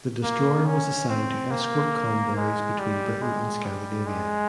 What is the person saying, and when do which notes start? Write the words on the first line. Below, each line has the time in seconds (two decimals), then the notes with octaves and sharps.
The destroyer was assigned to escort convoys between Britain and Scandinavia.
0.23 A#3
0.66 C#4
1.08 C4
1.51 A#3
2.36 G#3
2.79 G3
3.22 G#3
3.65 G3
4.07 G#3